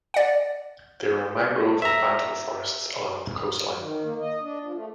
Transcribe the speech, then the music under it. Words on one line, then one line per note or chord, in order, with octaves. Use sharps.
There are mangrove and banto forests along the coastline.
D5 F#5
E5 A#5
F#2
D#3
A#3
D#5
D4
F3
A3